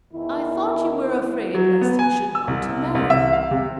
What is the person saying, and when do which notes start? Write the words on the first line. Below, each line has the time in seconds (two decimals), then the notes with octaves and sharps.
"I thought you were afraid lest he should want to marry her?"
0.13 E2 D#3 E4
1.55 F#3
1.81 B3
1.99 G#5
2.35 E6
2.48 C2
2.95 C2
3.10 E5
3.33 F5
3.51 C3